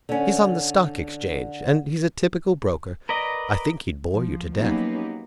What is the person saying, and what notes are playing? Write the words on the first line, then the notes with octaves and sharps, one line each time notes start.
"He's on the Stock Exchange, and he's a typical broker. I think he'd bore you to death."
D3 C#4
A#4 B4 D5 D#5
F3
F#3 A#3 B3 C#4 D#4 G4